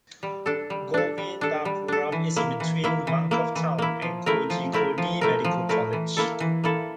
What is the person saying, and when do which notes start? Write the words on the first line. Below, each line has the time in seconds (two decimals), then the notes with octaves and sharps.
Govindapuram is in between Mankav town and Kozhikode Medical College.
0.23 G3
0.46 D4 A4
0.70 G3
0.94 D4 A4
1.18 G3
1.41 D4 A4
1.65 G3
1.88 D4 A4
2.12 E3
2.36 A#3 E4
2.60 E3
2.84 A#3 E4
3.07 E3
3.31 A#3 E4
3.55 E3
3.78 A#3 E4
4.02 F3
4.26 A3 E4 A#4
4.50 F3
4.73 A3 E4 A#4
4.98 F3
5.21 A3 E4 A#4
5.44 F3
5.69 A3 E4 A#4
5.93 E3
6.17 A#3 E4 A4
6.40 E3
6.64 A#3 E4 A4